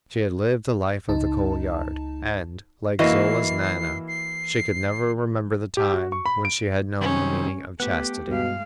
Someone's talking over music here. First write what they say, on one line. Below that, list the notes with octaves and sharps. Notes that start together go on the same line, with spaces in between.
She had lived the life of the Coal Yard, and, like Zola's Nana, she could never remember the time when she had known the meaning of chastity.
C#2 D#4 A5
E3 A#3 E4 F#4 D#5 C7
C7
G4
F#4
C#6
B5
D7
C3 D#3 G3 C#4
A3 B3 G4 F#5
G2 B2 G#3 F5